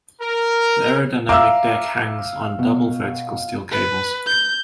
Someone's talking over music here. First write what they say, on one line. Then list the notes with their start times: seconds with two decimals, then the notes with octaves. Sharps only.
The aerodynamic deck hangs on double vertical steel cables.
0.21 A#4
1.29 E5 F5 A#5 D6 E6
2.59 B2
3.71 B4
4.27 G6